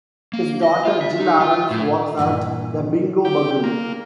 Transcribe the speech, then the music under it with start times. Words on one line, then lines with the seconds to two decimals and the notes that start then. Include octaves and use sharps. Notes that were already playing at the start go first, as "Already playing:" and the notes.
His daughter, Jill Arons, works at "The Bingo Bugle".
0.33 A#3
0.63 D#5
0.85 F4
1.01 E5
1.20 D#4
1.41 F4
1.70 A2
2.17 G2 A#2 D3 E3
3.25 G4
3.63 A#3